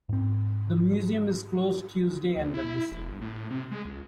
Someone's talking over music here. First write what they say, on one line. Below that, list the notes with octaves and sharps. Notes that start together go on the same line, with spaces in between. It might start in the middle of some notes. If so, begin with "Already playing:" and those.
The museum is closed Tuesday and Wednesday.
G#2 C4
D2
E4
E1
G1
A2
C3
G#3
C#2